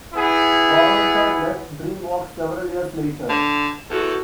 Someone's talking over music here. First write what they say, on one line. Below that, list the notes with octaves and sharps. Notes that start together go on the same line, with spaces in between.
Waronker left DreamWorks several years later.
B3 E4 G#4
D3
E2 F#4 A4